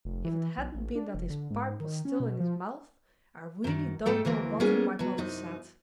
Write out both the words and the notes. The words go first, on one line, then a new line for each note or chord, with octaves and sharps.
If it hadn't been that his pipe was still in his mouth, I really don't know what he might not have said!
F1
E3
B1
A1
D4
F1
D3
G#2
D#3
C#4
B2
F3
F#2 D#3
G#2 A3 A4 G5
D2 E3 A#3 C4
G3 A#3 B3 C#4 G#4
B2 F#3
F#2 C3 D#4